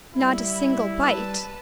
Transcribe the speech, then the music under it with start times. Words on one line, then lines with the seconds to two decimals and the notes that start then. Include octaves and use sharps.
Not a single bite.
0.15 G3 E4
0.98 B4 A5